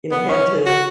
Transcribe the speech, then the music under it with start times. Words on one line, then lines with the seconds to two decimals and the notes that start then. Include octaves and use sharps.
you know, had to
0.11 B3
0.29 C#4
0.66 F#4